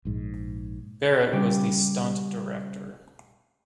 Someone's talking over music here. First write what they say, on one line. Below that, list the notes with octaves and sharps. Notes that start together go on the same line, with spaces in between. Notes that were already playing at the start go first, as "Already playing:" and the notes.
Barrett was the stunt director.
A#1 G#2
C#3 G3 G4